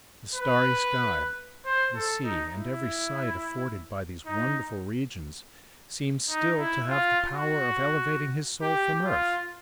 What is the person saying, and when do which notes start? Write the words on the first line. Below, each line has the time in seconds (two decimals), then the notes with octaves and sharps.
The starry sky, the sea, and every sight afforded by these wonderful regions seem still to have the power of elevating his soul from earth.
0.35 B4
1.65 C5
1.95 A4
2.24 D#4
2.53 E4
4.26 D#4
6.30 D#4
6.58 E4
6.88 F4
7.31 F#4
8.62 G4
9.05 F4